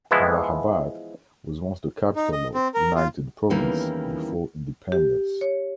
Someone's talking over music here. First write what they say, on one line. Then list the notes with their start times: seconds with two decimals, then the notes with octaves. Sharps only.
Allahabad was once the capital of United Province before independence.
0.11 E3 F3 G#3 B3 E4
2.16 D#4
2.32 D#5
2.54 C4
2.74 A#4
2.96 F4
3.50 E2 D#3 E3 G3 A#3 C#4
4.92 G4
5.41 C#5